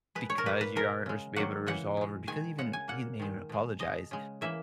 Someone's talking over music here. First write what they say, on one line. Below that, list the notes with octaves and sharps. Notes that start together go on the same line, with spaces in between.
because you aren't res be able to resolve or because even he didn't even apologize,
B2 G#3 B4
C#5
A#4
A#2 A#3 B4
B4
B2 G#3 A#4
C#3 G#3
D#3 F#3 A#3 F#5
C#3 E3 G#3 F#5
B2 G#3
D#3 G#3 G#5
C#3 G#3 F#5
G#5
A#2 A#3 F#5
D#3 G#3
B2 G#3
B2 G#3 D#5
C#3 G#3
C#3 E3 A#3 E5